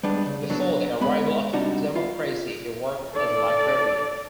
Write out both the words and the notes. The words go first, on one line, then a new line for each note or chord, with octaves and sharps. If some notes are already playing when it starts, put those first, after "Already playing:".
Before the arrival of democracy he worked as a librarian.
G3 G#3 B3 D4
C#3
F#3 B3 D4
G#3 B3 B5
C3 G3 D4 D#4 F#4
F4
A4 D5